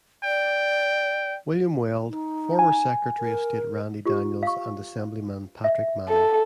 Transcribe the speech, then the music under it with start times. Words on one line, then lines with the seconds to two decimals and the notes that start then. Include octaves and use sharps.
William Weld, former Secretary of State Randy Daniels, and Assemblyman Patrick Manning.
0.24 D5 G5
2.09 D#4
2.59 G#5
3.19 A#4
4.06 F4 G4
4.43 F5 C#6
5.64 E5
6.08 A4